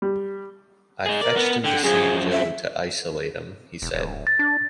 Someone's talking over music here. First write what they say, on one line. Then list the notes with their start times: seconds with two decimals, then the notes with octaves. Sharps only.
'I fetched 'em to Saint Joe to isolate 'em,' he said.
0.02 G3
1.06 D#4 G#4
1.21 A#4 D5
1.36 B3
1.64 D3 G5
1.83 F#2 F3 G#4
2.32 E5
3.82 E1
3.94 D1
4.27 A6
4.39 D4